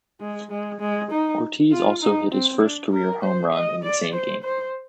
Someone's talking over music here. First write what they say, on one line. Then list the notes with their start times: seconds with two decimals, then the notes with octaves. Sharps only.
Ortiz also hit his first career home run in the same game.
0.20 G#3
0.51 G#3
0.80 G#3
1.11 D#4
1.72 F4
2.02 D#4
2.32 C4
2.62 D4
2.92 A#4
3.22 C5
3.53 D#5
3.83 D5
4.13 C5
4.43 C5